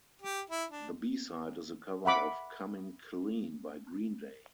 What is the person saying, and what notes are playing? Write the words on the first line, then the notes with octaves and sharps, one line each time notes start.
The B-Side is a cover of "Coming Clean" by Green Day.
G4
E4
D4
E5 F#5 B5 D6